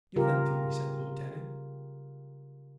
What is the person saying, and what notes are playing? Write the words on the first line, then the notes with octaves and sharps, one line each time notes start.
"Give them to me," said the Lieutenant.
C#3 F4 G4 A#4